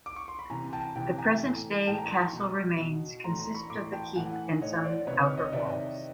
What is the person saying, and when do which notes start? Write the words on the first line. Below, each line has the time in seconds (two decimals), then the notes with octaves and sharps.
The present-day castle remains consist of the keep and some outer walls.
0.06 D6
0.16 C#6
0.28 C6
0.39 B5
0.50 C3 E3 G#5 A#5
0.73 G5 A5
0.96 C3 E3 G5 A5
1.18 G#5 A#5
1.42 A2 E3
1.87 A2 E3 G5 A5
1.98 G#5 A#5
2.10 A#5 C6
2.21 B5 C#6
2.33 B2
2.78 B2
3.24 A2 E3 A#5 C6
3.39 A#5 C6
3.54 B5 C#6
3.70 A2 E3 C6 D6
3.93 G5 A5
4.16 A2 E3 F#5 G#5
4.62 A2 E3 C#5 D#5
4.84 C5 D5
5.07 C3 D#3 B4 C#5
5.38 C#5 D#5
5.52 C3 D#3 D5 E5